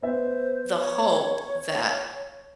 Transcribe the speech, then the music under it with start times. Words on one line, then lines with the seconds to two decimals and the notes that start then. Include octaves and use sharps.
the hope that
0.02 B3 C5 E5
0.78 C#5